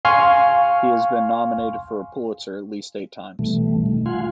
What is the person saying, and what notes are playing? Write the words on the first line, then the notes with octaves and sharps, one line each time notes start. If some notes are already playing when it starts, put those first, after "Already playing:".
He has been nominated for a Pulitzer at least eight times.
F5 G#5 C6 C#6 F6
B2 E3 G3 A3
D#3 A3
F4 F5 F#5 G#5 C6